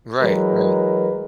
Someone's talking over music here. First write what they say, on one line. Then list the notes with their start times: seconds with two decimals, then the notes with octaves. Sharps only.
Right. Right.
0.20 E3 F#3 G#3 A#4 B4